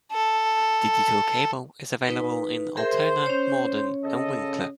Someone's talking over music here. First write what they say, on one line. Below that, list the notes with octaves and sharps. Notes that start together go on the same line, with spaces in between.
Digital cable is available in Altona, Morden, and Winkler.
A4
D#4 B4
G#4 A#4 C5 E5
C#4 C#5
C#3 A4 D#5